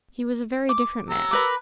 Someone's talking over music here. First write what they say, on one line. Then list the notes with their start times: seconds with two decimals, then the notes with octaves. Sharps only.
He was a very different man.
0.69 D6
1.10 A#5 E6
1.31 A#4 B4 D6